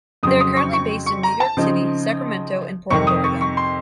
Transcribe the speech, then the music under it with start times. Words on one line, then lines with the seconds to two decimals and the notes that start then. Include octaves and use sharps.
They are currently based in New York City, Sacramento, and Portland, Oregon.
0.23 F2 C#3 F#3 C4 D#6
0.40 D#6
0.57 C#6
0.73 C#6
1.06 C#6
1.23 A#5
1.40 A5
1.57 C#3 F3 C4 D#4
2.90 F2 C3 D#3 C#6
3.07 D#6
3.24 C#6
3.41 C#6
3.57 C6